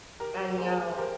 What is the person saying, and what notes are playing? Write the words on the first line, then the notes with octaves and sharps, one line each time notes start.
I know.
G4 A#4
G#4 C5
C5
G4 A#4